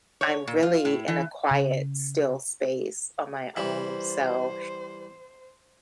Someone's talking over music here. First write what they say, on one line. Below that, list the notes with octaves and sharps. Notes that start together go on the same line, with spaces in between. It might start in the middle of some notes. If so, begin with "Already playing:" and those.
I'm really in a quiet, still space on my own, so
C#5
A#2
F4
A2
E3
C#3
E3 G3 C5